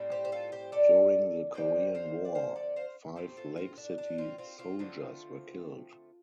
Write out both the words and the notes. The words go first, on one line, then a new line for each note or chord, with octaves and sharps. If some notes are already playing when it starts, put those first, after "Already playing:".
During the Korean War, five Lake City soldiers were killed.
Already playing: A2 G3 C4
G4 C5
C5
F4 A4
G4 C5
A4 D5
D3 F3 C4 D5 G5
C5 F5
D5
C5 F5
A4 D5
C5 F5
A2 A3 C4 G4 C5
F4 A4
C4 F4
D4
D4
C4 F4
C4 F4
C4 F4
D3 F3 A3 C4